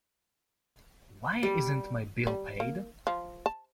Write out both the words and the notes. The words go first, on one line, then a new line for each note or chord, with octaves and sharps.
Why isn't my bill paid?
G3
G3
A#3
F3
A5